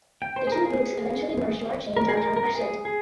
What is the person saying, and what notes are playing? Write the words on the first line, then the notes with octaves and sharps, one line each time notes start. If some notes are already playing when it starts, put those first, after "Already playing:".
The two groups eventually merged marching in downtown Ashland.
G5
C5
G#4
A#4
G#4
A#4
G#4
A#4
A#4
G#4
G#4